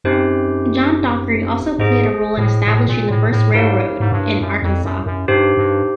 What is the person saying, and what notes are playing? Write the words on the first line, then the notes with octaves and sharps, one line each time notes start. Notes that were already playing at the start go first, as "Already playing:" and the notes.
John Dockery also played a role in establishing the first railroad in Arkansas.
F#2 C4 D#4 G4 C5
G#2 G#4 C5 D#5
A2
A2
A#2
A2
A2
G#2 E4 G4 A#4 C#5 F5
G#2
G2
F#2
F2
F#2
F#2
G2 D#4 G4 C5
G2